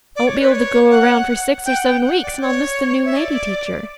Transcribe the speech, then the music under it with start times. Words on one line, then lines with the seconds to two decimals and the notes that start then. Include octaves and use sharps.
I won't be able to go around for six or seven weeks and I'll miss the new lady teacher.
0.16 D5
0.28 C#5
0.40 B4
0.52 C#5
0.91 F#5
1.66 G5
1.76 F#5
1.85 G5
2.03 F#5
2.23 D5
2.41 C#5
3.05 E5
3.16 D5